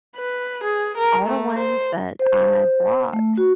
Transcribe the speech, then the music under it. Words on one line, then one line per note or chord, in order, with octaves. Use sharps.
all the ones that I blocked
B4
G#4
A#4
A3
C5
C5
A3
F#4